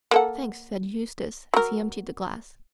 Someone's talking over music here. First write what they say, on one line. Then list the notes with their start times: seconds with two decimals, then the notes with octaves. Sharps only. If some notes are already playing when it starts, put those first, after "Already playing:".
"Thanks," said Eustace, as he emptied the glass.
0.11 A#3 A4 F#5
1.54 F#3 A#4